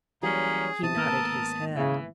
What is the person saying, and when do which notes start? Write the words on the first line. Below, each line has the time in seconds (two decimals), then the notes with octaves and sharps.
He nodded his head.
0.23 E3 F#3 G3 A#3 C#4 G#4
0.83 B1 C3 A5 D#6
0.96 G#1 A#3 B3 A4 A#4
1.73 C#3 E3